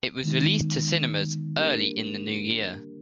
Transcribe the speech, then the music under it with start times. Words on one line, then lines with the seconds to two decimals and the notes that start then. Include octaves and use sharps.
It was released to cinemas early in the New Year.
0.24 D#3 G#3 B3 D#4
1.58 G3 A#3 D4 G4 A#4